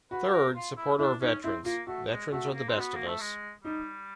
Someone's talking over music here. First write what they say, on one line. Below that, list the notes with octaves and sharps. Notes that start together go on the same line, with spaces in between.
Third, support our veterans. Veterans are the best of us.
F#4 B4
A#4
F4
E4
D4 E4
C#4 D#4
C4 E4
A#3 F4
A3 F#4
G#3
A3 F#4
A#3
C4
B3 F#4
A#3
A3
G#3
G3 D#4